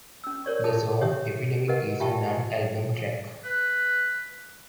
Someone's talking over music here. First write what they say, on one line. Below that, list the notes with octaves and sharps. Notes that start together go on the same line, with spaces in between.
The song "Epidemic" is a non-album track.
C#4 E6
A#4 C#5 D5 C#6
G#4 A5 D#6
G4 C#5 E5 D#6
G4 A#4 B4 D#5 F#5
F4 G4 E5 G5 A5 C#6
B4